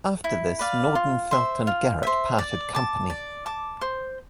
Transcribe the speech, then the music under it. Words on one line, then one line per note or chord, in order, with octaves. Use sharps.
After this, Nordenfelt and Garrett parted company.
E4
B4 D5 F5
F4
C5 E5
F4
C5 E5
D5
A5 D6
D5
A5 D6
C5